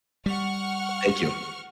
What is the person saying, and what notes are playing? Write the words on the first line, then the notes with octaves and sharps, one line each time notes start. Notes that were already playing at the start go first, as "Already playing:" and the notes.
Thank you.
G3 F#5 C#6 F6